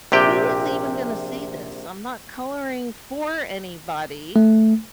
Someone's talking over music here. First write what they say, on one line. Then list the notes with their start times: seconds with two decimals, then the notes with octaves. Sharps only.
"Who is even gonna see this? I'm not coloring for anybody,
0.12 A#1 C3 G4 G5
4.36 A3